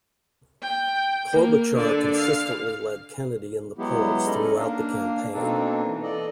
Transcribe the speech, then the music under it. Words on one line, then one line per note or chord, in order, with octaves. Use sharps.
Klobuchar consistently led Kennedy in the polls throughout the campaign.
G5
A#3
D3 D5
F5
F#3 G#3 B3 E4 G4
C#4 D#4 A4 D5 D#5
A#3 D4 F5
B2 A#3 C4 D4 D#4 A4
E3
A4 D5 D#5